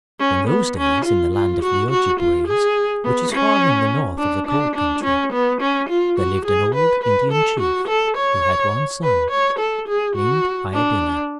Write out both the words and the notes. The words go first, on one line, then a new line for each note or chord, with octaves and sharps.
In those days in the land of the Ojibways, which is far in the north of the cold country, there lived an old Indian chief who had one son, named Iadilla.
C#4
B3
C#4
F4
F4
F#4
F#4
F4
G#4
B3
C#4
D4
D4
D4
C#4
B3
C#4
F4
F#4
G#4
B4
B4
A4
F#4
A4
C#5
B4
C#5
A4
G#4
F#4
D4